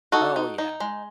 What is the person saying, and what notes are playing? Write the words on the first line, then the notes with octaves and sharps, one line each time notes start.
Oh, yeah.
D#4 F#4 A4
D#4
D#4
G#3